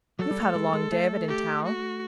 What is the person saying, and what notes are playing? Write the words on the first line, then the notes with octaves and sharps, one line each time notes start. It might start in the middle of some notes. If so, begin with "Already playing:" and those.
You've had a long day of it in town.
F#3 A4
G3
A3
G#3
G#3
A3
G4
F#4